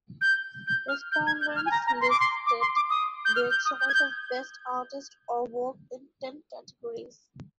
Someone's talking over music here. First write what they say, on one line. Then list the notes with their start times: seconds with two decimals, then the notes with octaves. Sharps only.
Respondents listed their choice of best artist or work in ten categories.
0.21 G6
0.67 G6
0.88 F6
1.12 G6
1.27 G#6
1.41 G6
1.56 F6
1.66 G#5
1.71 A#5
1.86 A#5
2.01 C6
2.10 D6
2.20 C6
2.46 D6
2.61 C6
2.76 D6
2.90 D#6
3.25 G6
3.36 F6
3.50 G6
3.65 D#6
3.80 G6
3.89 G#6
3.94 G6